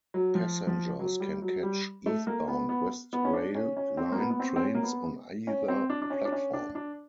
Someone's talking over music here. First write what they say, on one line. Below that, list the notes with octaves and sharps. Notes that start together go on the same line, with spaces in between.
Passengers can catch eastbound West Rail Line trains on either platform.
F#3
F3
F3
F#3
G3
F#3
G3
A3
A#3
B3
B3
B3
C#4
D4
C#4
C#4
C4
A#3
B3
B3
C4
C4
C#4
A#3
B3
C#4
C4
D4
D4
C#4
D4
C#4
D4
D4